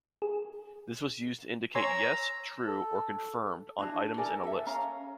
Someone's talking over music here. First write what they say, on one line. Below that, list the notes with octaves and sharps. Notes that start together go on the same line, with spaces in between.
This was used to indicate yes, true, or confirmed on items in a list.
G#4
C#5 G#5 A#5 C6 E6
A4
D4 E4 F#4 A5
A4 A#4 D5 G#5
A4 E5
C#4 F5 A#5